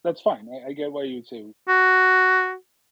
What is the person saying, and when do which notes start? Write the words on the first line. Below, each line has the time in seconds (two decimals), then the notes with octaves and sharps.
that's fine, I I get why you'd say,
1.69 F#4